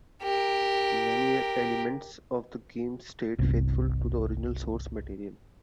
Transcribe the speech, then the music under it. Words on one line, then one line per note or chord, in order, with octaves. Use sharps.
Many elements of the game stayed faithful to the original source material.
G4 A#4
G1 C2